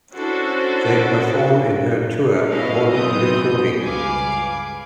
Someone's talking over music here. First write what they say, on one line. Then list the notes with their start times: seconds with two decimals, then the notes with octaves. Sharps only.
They perform in her tour or recording.
0.14 C#4 D4 E4 F#4 A4 C5
2.49 B3 C#4 E4 A4 D#5 F5
2.91 F#2 E3 B3 C4 D#6 G6
3.83 C#2 G2 B4 F5 G#5 D6